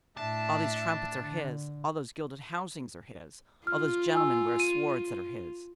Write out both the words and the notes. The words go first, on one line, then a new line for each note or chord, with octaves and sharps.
All these trumpets are his, all those gilded housings are his, all those gentlemen wear swords that are his.
A2 D4 E5 A5
D3
F4 F6
G#5 E6
D#7